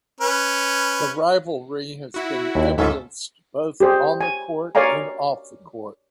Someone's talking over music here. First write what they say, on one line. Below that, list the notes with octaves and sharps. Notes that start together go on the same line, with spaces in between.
The rivalry has been evidenced both on the court and off the court.
C#4 B4
E4 F#4
D#2
D2 G#2 C#4 F4 A4 E5
G4 G#4 C5 D5
G#5
A#4 C#5 D5 F5 G#5 A#5